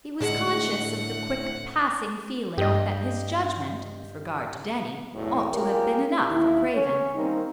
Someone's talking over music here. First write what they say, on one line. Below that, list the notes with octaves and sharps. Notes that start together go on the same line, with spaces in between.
He was conscious of the quick passing feeling that his judgment, with regard to Denny, ought to have been enough for Craven.
D2 A2 G#3 F#5
G2 G4 D#5
B1 E2 A2
C#4 F4 G4 G#4 A#4
D#2 E4
C#4 C#5
D#3 G3 A#3 C4 D#4